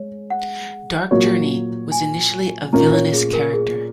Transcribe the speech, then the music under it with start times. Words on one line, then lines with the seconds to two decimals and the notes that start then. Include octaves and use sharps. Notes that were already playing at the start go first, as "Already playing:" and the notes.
Dark Journey was initially a villainous character.
Already playing: G#3 C#5
0.30 F#5
1.11 A#2 F#3 A#3 F#4 C#5
1.92 G#5
2.73 A#2 A#3 C#4 A#4 A#5
2.93 C#5
3.13 G#4
3.33 A#4
3.53 G#4